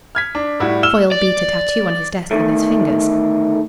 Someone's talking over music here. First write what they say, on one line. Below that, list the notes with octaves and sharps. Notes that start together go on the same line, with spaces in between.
Foyle beat a tattoo on his desk with his fingers.
F6 G#6 B6
D4
A2 G3 E4 F#4
E6 F6 E7 G7
D5
D3 D#3 A3